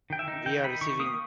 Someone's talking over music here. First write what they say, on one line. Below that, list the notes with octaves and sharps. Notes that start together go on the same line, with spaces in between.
We are receiving.
D#3 G5
E5
D#4
D#3 G5
D#4 B5
D#3 C#6
A#3 D#6